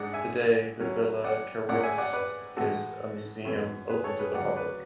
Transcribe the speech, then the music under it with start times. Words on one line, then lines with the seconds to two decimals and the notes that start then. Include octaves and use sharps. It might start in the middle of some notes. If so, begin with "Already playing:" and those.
Today, the Villa Kerylos is a museum open to the public.
Already playing: G#2 G#3 D4 D5 F#5
0.13 E5 G#5
0.80 B2 F#3 C#4 E4
1.24 D5 F#5
1.69 A2 G#3 C#4 E4 D5 F#5
1.83 E5 G#5
1.98 D5 F#5
2.13 B4 D5
2.57 A2 E3 G#3 F#4 A4
3.45 F#2 E3 B3
3.89 G#4 B4
4.04 A4 C#5
4.19 G#4 B4
4.33 D2 C#3 F#3 C#4 D5 F#5
4.56 B4 D5